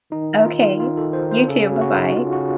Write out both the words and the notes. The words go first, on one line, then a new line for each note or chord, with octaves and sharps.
Okay. You too, bye-bye.
D#3 D#4
D#4
F4
F4
F4
A4
C5
C5
C#3 A4
F#4
F#4
D#4
C#3 F4
F#4